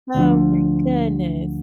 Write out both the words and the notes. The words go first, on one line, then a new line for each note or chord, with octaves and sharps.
Oh my goodness.
D2 D3 F3